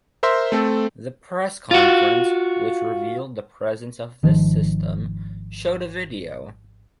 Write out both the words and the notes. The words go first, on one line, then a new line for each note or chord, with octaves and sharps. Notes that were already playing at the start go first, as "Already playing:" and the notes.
The press conference, which revealed the presence of this system, showed a video.
A#4 C5 E5 C6
A3 C4 A4
F4 F#4
G#1 D#3 F3